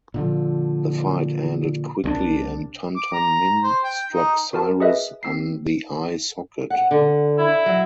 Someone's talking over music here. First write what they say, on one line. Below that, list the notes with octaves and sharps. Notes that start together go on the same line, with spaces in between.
The fight ended quickly and Tun Tun Min struck Cyrus on the eye socket.
A#2 D3 F3
C2 G#3 D4
D6
A#5
C5
G5
D#4
F#4 A#4 A5
G#4 B4 D#5 E5 F#6
C4 E6 B6 C7
F#5
D3
E4
F#3